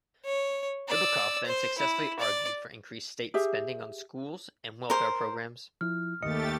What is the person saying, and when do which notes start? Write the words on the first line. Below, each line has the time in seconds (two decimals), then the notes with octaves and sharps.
Ribicoff then successfully argued for increased state spending on schools and welfare programs.
0.25 C#5
0.89 D5 E6
1.46 C5
1.79 E4
2.20 D5
3.34 G4 G#4 E5
4.90 A#4 C5
5.81 F3 E4 F6
6.23 D#2 A3 G4 D#5 A6 C#7